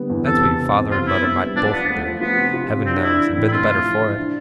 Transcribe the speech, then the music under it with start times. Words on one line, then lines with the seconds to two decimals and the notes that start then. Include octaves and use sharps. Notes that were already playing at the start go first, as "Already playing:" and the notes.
That's what your father and mother might both have been, Heaven knows, and been the better for it.'
Already playing: D3 G3 B3
0.10 E2
0.26 C3 A4
0.42 C3
0.58 C3
0.75 C3
0.91 C3 F4
1.07 B3 E4
1.24 B3
1.40 G3
1.56 F3 D4
1.72 F3 B3
1.89 A3
2.05 F3
2.21 B3 F4
2.37 C3
2.54 F4
2.70 C3
2.86 C4 D4
3.02 D4 E4
3.19 E3
3.35 A2
3.48 E4
3.51 C3 F4
3.68 E4
3.84 F3
4.01 E4
4.17 D4